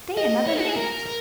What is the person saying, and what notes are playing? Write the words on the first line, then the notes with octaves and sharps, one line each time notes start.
Stay another minute!
D#5
C#5
F#4
G#4
A#4
A#4